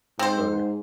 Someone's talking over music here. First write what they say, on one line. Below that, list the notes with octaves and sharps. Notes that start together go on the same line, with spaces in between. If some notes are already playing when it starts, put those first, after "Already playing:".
Go there.
G#2 C4 C5